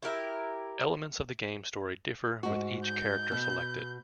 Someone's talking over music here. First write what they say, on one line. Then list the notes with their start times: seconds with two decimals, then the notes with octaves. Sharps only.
Elements of the game story differ with each character selected.
0.03 E4 G4 A#4 E5
2.43 G#2 F#4
2.84 G6
3.32 B2